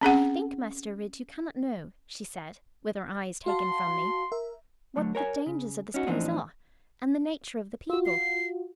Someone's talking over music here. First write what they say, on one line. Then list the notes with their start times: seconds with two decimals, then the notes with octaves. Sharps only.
'I think, Master Ridd, you cannot know,' she said, with her eyes taken from me, 'what the dangers of this place are, and the nature of the people.'
0.01 C4 C#4 G#4 F#5
3.46 F#4 F5 A5 C6
4.32 A#4 E5
4.96 D3 F#3 A3
5.15 A#4 C#5 G#5
5.46 C#3
5.94 C#4 D#4 F#4
6.07 A2 E3 F3 C4 D4 D#4
7.90 F4 F#4 E6
8.06 C7